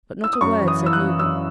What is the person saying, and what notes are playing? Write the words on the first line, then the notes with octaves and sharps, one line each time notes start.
But not a word said Newman.
E6
D#6
F#2 C#6
E3
D#6
E3
E6
F#6
F#2
F#2 E6